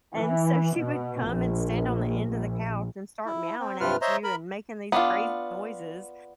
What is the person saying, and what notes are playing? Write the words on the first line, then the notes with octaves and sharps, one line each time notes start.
and so she would come and stand on the end of the couch and start meowing at you and making these crazy noises,
E3
B2
A#1
A#1
E4
C4
G2 C3 F4 B4 F6
C5 C#5 D#5 E5 A#5 C6
A#4 B5
B3 D4 F4